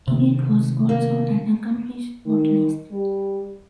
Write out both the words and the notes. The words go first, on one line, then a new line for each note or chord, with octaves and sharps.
Egede was also an accomplished botanist.
C3 D#3
A#3
D#3
G3